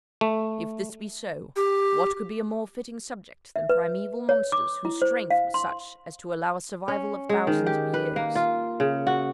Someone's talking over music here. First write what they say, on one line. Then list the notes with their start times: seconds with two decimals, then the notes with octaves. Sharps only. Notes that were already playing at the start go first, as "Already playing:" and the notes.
If this be so, what could be a more fitting subject than primeval monsters whose strength was such as to allow a survival of thousands of years?
0.21 A3
1.56 G4
3.56 E5
3.69 B4
4.29 C#5
4.52 D6
4.85 E4
5.02 C5
5.30 F5
5.54 C6
6.88 C#4
7.29 G#3
7.47 D#3
7.66 G4
7.94 B4
8.16 A#3
8.35 F4
8.80 C#3
9.07 F#4